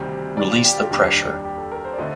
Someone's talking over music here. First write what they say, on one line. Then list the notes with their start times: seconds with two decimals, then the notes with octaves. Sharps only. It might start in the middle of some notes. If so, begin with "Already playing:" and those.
Release the pressure.
Already playing: D2 C3 D#3 G3 C5
0.37 D5
0.51 F4
0.64 G4
0.78 F4
0.91 F1 D#2 D#3 G3 D4 G4
1.45 G4
1.58 A4
1.71 A#4
1.85 C5
1.94 D5
1.98 D3 A3 C4 D#5